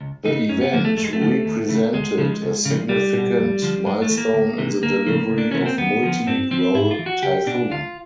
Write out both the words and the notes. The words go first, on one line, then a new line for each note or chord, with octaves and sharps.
The event represented a significant milestone in the delivery of multi-role Typhoon.
C#2
C#3 E3 D#4
F#2 C#4
B3
D3 F3 A#3
A3
F2 A3
G#3
A3
D3 F3
D#2
C#3 E3
D2 G#3
C#3 F3
C#2
C#3 F3
C2 G3
B2
F2
D3 F3
G2 G#3
A3
E3
A#3
D2
C3 E3
D2 A#3
C#3 F3
C#2
D4
C3 E3 C#4
C4
D#2 B3
D3 F3
G2 C4
D3 F3 C4
G#2 E4
F4
E3
F#4
C#2 G4
B2 D4
D2 F4